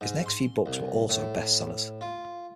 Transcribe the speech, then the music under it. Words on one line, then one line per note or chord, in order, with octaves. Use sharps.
His next few books were also bestsellers.
G#2
C6
C2
A2
F4